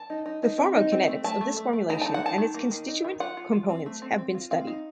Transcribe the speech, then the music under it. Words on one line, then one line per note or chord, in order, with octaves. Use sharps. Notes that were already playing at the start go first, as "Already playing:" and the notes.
The pharmacokinetics of this formulation and its constituent components have been studied.
Already playing: A5
D#4
D#4
D#4
C4
D#4
C4
A3
A3 A5
A3
A3
A3
D#3 A#5
D#4 A5
F#5
D#4 A5
D#3
A#3
D#3
D#4
D#3
F4 F#5
F4
F4
C4
A3
C4
C4
F4
C4 F5
D#4